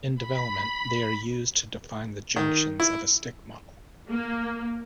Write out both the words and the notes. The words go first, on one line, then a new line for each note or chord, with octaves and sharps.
In development, they are used to define the junctions of a stick model.
B5
D#3
E4
A#3